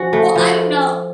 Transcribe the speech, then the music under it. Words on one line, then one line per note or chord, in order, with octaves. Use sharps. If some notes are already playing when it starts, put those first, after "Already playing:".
Well, I don't know
Already playing: F3 C#4 F#4
A3
F3